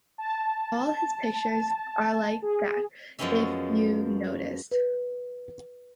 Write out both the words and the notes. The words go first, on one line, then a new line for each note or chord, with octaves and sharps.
All His pictures are like that, if you’ve noticed.
A5
G#4
F#2 F3 G#3 B3 C#4 E5
B4